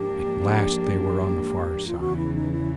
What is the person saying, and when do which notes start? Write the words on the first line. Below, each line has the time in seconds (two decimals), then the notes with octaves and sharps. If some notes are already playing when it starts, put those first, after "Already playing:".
At last they were on the far side.
Already playing: G#2 F3 A#3 D4 G4
1.87 F4
1.99 E2 C#3 E3 F#4
2.17 E4
2.34 D#4
2.52 E4